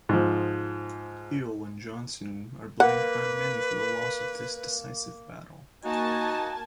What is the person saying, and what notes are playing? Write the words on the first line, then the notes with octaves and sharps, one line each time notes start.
Ewell and Johnson are blamed by many for the loss of this decisive battle.
G#2 F3
A#3 B4 F#5
A#3 D#4 F#4 G#5 A5